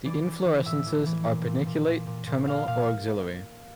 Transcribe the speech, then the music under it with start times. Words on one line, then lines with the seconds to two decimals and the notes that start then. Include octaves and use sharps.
The inflorescences are paniculate, terminal or axillary.
0.05 E3 D5
0.26 E3
0.45 E3
0.65 A2 E5
0.87 E3
1.06 E3
1.27 A#2
1.46 A#2
1.67 A#2
1.87 A#2
2.07 A#2
2.27 A#2
2.47 A#2 F5
2.67 A#2 F5